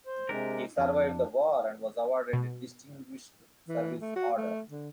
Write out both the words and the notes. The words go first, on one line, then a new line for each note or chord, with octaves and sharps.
He survived the war and was awarded a Distinguished Service Order.
C5
C3 G#3 D4 G4 A#4
F2 D4
B2
E3
A3
F#4
A3
D3